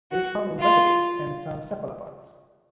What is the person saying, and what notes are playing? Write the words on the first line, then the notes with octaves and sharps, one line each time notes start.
It is found in vertebrates and some cephalopods.
F#4
F4